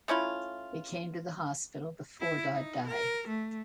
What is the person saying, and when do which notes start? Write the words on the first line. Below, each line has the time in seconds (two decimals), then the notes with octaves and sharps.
They came to the hospital before Dodd died.
0.08 A3 C#4 E4 F4
2.21 E4
2.54 D#4
2.87 A#4
3.28 A3